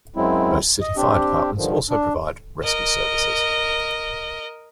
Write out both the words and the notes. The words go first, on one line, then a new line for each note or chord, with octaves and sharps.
Most city fire departments also provide rescue services.
F#2 F#3 G#3 C4 E4
D#5
C4 D4 G4
G2 D3 D#3 F3
D4
A#4 D#5